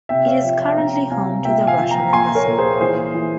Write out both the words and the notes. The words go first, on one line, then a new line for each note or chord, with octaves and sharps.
It is currently home to the Russian Embassy.
C3 E5 G5
C#5 F5
F3 E5 G5
E5 G5
C3 G5 A#5
C3 F5 G#5
A#2 E5 G5
F5 G#5
F3
G5 A#5
A#2 G#5 C6
A#4 C#5
A#2
G#4 C5
E3 G#4 C5
E3